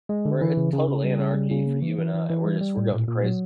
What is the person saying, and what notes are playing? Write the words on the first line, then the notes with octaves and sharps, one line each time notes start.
we're a total anarchy for you and I. We're just we're going crazy.
G#3
D3
E3
C#3
C#3
C#3
G3
C#3
G3
C#3
A#3
E3
E3
E3
E3
G3
G3
A2
A#2
A#2
F#3